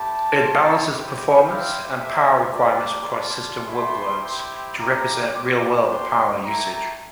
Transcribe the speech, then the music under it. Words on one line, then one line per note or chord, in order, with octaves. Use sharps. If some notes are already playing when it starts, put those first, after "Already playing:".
It balances performance and power requirements across system workloads to represent real-world power usage.
Already playing: A3 E4 G4 A5
A#3 F4
G3 C4 E4 G4
C4 E4 G4 F5
A3 C4 G4 E5
A#3 D4 G4 D5
G3 D4 F4
A3 E4 G4 C6
C4 E4 G4
A#3 E4 G4 A#5
G3 C4 G4 D6
A#3 D4 G4 C6
A3 E4 G4 A#5